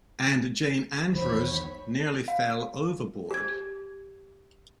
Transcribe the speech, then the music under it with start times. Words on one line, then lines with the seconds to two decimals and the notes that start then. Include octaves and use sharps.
And Jane Andrews nearly fell overboard.
1.14 B1 E2 D#3 C5 C#5 B5
2.28 F5
3.31 G4 G#6